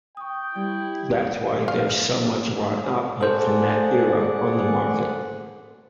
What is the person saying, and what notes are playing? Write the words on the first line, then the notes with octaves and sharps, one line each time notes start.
That's why there's so much of our output from that era on the market.
G5 C#6 D#6
G3 C4 E4
F5
G#4 A4 C5 D5 F#5